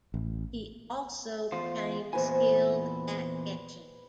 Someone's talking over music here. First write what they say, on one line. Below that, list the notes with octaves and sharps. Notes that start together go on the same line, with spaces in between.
He also became skilled at etching.
A1
E2 F4 C5
E2 A#2 B4 C5 G#5